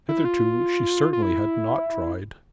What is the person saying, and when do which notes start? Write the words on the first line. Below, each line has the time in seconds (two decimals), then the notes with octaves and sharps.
Hitherto she certainly had not tried.
0.09 E4
0.25 F4
1.13 F4
1.22 E4